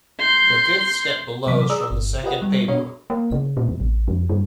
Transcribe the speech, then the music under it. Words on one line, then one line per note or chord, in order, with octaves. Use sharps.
The fifth step below is from the second paper.
C6 G6
C3 E3 F#3 C4 D6 B6
G#4 D5 A#5 D#6 E6
G1
F4 G4 A#4 B4 D#5 F#5
G3
B2 B3 D4 F#4 C#5 D#5
A#3
C#3
A#2
E2
A1
F2
G2